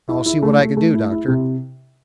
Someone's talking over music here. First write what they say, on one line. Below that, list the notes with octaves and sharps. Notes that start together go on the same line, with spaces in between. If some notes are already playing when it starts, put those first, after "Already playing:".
"I'll see what I can do, Doctor."
E4
E4
A3
A3
A3
E4
E4
C3